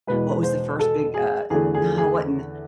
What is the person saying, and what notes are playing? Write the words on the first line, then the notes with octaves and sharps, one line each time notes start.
what was the first big, uh no, it wasn't
E2 B2 G#3 B4
C5
A4
G#4
E2 D3 A3 G#4
G#4
G#4